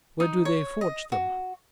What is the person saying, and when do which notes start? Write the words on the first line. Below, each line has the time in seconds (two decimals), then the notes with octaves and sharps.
Where do they forge them?
0.20 D#4
0.45 C#5
0.81 D#5
1.12 F#4